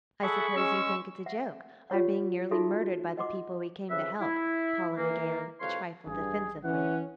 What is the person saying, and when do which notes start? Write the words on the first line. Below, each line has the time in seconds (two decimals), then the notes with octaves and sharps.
"I suppose you think it's a joke, our being nearly murdered by the people we came to help," Paula began, a trifle defensively.
0.23 G#4 A4 E5 F#5 B5 C#6
0.56 G#3 C#4 E6
1.26 E5 F#5
1.90 F4 G4 C#5 F#5
2.51 D#4 F4 F#4 G#4 A4 E5
3.17 D#5 F#5 C6 D6
3.89 F2 C#3 B4 E5
4.20 E4
4.97 E3 A#3
5.60 C2 F2 B4 C#5 F5 C6
6.07 A1 G2 G#4
6.64 E3 C#4 F#5